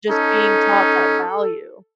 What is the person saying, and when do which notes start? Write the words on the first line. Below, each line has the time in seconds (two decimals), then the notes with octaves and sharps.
just being taught that value.
0.10 C#4 D#4 A4